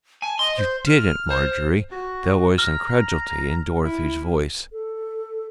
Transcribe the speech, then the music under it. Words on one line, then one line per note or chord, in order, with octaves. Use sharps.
"You didn't, Marjorie." There was incredulity in Dorothy's voice.
G#5 A5
D#5 C6
C5
F6
C5
F#4
A#5 F6
E4
A4